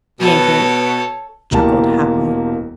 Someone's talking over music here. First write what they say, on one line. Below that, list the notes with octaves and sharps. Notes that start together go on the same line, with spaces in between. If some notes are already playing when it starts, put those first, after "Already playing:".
Yank-Yank chuckled happily.
B2 A4 C#5
E1 E2 A#3 G4 A5